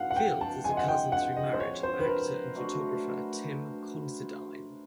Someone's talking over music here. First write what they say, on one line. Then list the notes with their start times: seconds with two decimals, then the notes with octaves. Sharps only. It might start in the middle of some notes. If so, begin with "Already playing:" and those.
Fields is a cousin through marriage of actor and photographer Tim Considine.
Already playing: D#3 G#3 C4 E4 F5 F#5
0.11 F#5
0.16 G5
0.41 A5
0.64 C3 F3 G#3 G#5
0.77 F#5
0.88 G5
1.12 F#5
1.36 D#5
1.53 C5
1.60 C#5
1.83 C5
2.00 B4
2.07 A#4
2.55 F#3 A3 D4 F#4